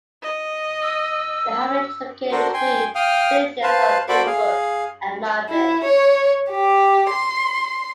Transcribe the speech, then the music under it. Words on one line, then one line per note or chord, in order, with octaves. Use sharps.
The hamlet is located between the Villages of Lynbrook and Malverne.
D#5
E6
D4 F#4 A4 A#4 C5
G5 G#5 C6
F5 G5 D#6 F6
B4 C5 F5 A5
F#4 A4 C5 D5 B5 D6
G#4 F5
E4
C#5
G4
C6